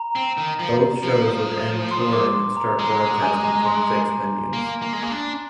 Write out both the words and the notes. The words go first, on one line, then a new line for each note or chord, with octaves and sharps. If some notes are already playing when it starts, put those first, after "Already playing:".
Both shows would end touring and start broadcasting from fixed venues.
Already playing: A#5
C4
D#3
F3
F3
C6
D6
C6
A#5
G#3 A#5
G#5
A#5
C6
A#3
A#3
G#3
A#3
D4